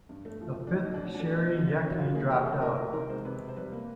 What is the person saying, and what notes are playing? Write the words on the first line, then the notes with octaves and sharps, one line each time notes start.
A fifth, Cheri Yecke, dropped out.
G2
A3
F3
A3
D4
A2 D#4
D#4
A2
D4
F#3 C#4
D4
A3
D4
B2 D#4
B2
C#3
F#3
F#2 F4
A#3 G#4
E3 G4
G#4
A3 A4
C3 A#4
C3
D#3 A#4
G#3 C5
C3 B4
C3
C5
G3 B4
A#3